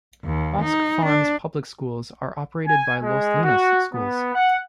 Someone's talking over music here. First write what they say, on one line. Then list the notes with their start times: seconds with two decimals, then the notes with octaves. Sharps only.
Bosque Farms' public schools are operated by Los Lunas Schools.
0.24 D#2
0.62 D#4
1.06 D4
2.67 G#5
3.02 G#3
3.43 F#4
3.94 B3
4.34 F#5